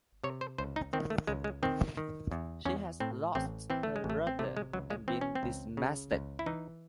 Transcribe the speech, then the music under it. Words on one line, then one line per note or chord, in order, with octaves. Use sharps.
She had lost her rudder and been dismasted.
C3 C#5
C5
C#2 C5
D#4
D#3 C4
A3
C#2 G#3
G#3
D#3 C4
D#3
E2
E2 C#4
A2 C4
A1 C4
E3 C4
A3
G#3
A1
A3
C4
C3 A3
G#3
C#2 F#3
G#3
E3 C4
C#4
C4
C#2
C#3
C#2
E4
E3 D#4